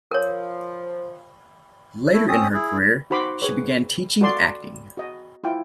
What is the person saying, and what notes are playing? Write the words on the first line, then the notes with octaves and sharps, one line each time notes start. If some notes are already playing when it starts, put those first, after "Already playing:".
Later in her career, she began teaching acting.
F3 A#4 C#5
A3 E4
C4 C#4 D#6
E4 G#4
D#4 F#4 C5 B5 C6 D6
G#4 B4 C#5
F#4 A4 D5 C6
F#4 D#5
E4 F4 G5